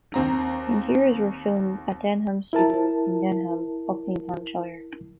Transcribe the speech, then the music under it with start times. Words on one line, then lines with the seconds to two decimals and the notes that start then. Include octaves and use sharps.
Interiors were filmed at Denham Studios, in Denham, Buckinghamshire.
0.14 D#2 C4 A#5
2.53 E4 A#4 A5